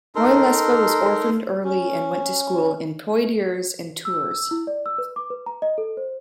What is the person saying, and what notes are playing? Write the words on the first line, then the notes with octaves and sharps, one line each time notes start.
Boylesve was orphaned early and went to school in Poitiers and Tours.
D#4 A4 A#4 C6
C#4
E6
E6
E4
D5
E6
B4
D6
B4
A#5
D#5
A4
C5